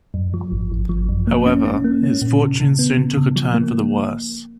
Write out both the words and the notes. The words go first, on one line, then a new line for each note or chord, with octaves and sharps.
However his fortunes soon took a turn for the worse.
F#2
F3
G#1
G#1
F3
F#2
A#3
C#4
C#4
A#3
C#4
A#2
C#3
C#3
B3
C#3
C#3
F3
A#3